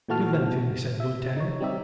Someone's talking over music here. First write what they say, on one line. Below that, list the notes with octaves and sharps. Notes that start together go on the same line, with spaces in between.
"Give them to me," said the Lieutenant.
A#2 E3 A3 F#4 A5 F6
B2
E5
D#4 C#5
G3 C4 D#4 G4 E5